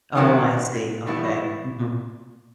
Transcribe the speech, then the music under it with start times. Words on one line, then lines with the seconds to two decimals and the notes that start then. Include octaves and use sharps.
Oh, I see. Okay. Mhm.
0.15 C3 D#3 F#3 B3 D#4
1.06 A2 E3 G3 B3 E4